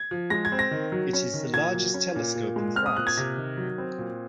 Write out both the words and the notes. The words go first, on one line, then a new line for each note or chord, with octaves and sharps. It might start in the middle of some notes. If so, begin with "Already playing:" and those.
It is the largest telescope in France.
Already playing: G#6
F3
G#3 A#6
G#6
C4
A#6
D#3
F#3
C#4
D#3
A#2 G#6
F#3
C#4
A#2
A#2
G#3
C4 F6
D#6
A#2 F#6
G#6
C3
D#3
F#3
C4
A#2